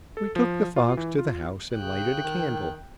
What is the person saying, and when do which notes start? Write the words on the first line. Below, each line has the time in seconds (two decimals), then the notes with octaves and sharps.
We took the fox to the house and lighted a candle.
0.17 A4
0.36 F3
0.76 F4
0.97 E3
1.19 F4
1.75 C#3 G5 F#6
2.24 D#3